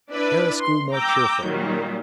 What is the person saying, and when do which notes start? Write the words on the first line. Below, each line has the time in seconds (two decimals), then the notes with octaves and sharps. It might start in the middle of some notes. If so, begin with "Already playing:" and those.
Harris grew more cheerful.
0.13 D4 E4 B4 D5
0.60 C6
0.94 G5 A#5 D6 E6 G6
1.44 A#2 D#3 F#3 G3